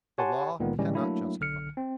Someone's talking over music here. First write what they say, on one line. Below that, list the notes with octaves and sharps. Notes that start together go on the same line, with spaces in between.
The Law cannot justify.
G4 C#5 F#5 G#5 A5 C6
C#2 A#2 D#3 G#3 B3
A2 D3 E3 G3 G#3 C#4
F#3 A3 A#3 D4 E4
B1 D3 F6 C#7
C4